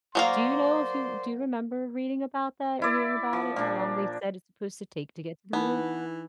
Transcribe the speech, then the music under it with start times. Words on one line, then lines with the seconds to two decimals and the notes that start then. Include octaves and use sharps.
Do you know if you do you remember reading about that or hearing about it how long they said it's supposed to take to get to the Moon?
0.15 F#3 A#3 C5 D5 F5 C6
2.82 E4 D5
3.33 F3
3.56 A#2 D4
5.53 E3 B3 D#4 B5